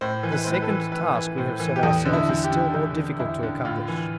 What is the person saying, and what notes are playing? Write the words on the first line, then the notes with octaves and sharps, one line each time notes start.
The second task we have set ourselves is still more difficult to accomplish.
A2 C5
E3
B4
A2 C5
B4
A4
E3
A2 B4
E3
A2 C5
E3
G4
E2 A4
D3
E4
E2
G4
D3
E2
D3
E2 E4
D3
A2 F4
E3